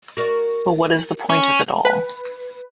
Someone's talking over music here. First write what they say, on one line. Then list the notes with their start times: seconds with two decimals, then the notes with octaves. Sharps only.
But what is the point of it all?
0.17 F#4 A#4 D5
1.30 C#4
1.85 B4